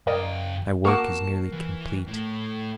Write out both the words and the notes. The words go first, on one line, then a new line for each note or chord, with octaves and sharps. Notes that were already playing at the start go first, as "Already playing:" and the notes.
My work is nearly complete.
F#2 A#4 D5 D#5 G5
A#3 F#4 A5 A#5 C#6 D6
E3
A2